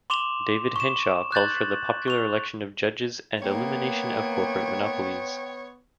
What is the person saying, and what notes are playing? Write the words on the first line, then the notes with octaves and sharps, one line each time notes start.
David Henshaw called for the popular election of judges and elimination of corporate monopolies.
C6 D6 E7 F7 G7
C#6 E7
F#6 G6 A6 F#7
C#6 F7
A#3 B3 C#5 G5